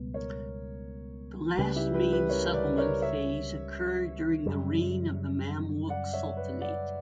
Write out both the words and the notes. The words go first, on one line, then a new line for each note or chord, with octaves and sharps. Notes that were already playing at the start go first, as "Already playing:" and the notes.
The last main settlement phase occurred during the reign of the Mamluk Sultanate.
Already playing: C#2 B2 G3 B3
A#4 C#5
C#2 C#3 E3 G3 G4 B4
E4 G4
G4 B4
G4 B4
A#4 C#5
B4 D5
A#4 C#5
C#5 E5
F#2 C#3 G3
D5 F#5
C#5 E5
B4 D5
D5 F#5